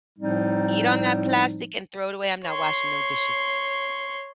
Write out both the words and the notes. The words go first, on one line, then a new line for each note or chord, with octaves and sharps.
Eat on that plastic and throw it away. I'm not washing no dishes.
A2 F3 G3 C4 D#4
C#5 C6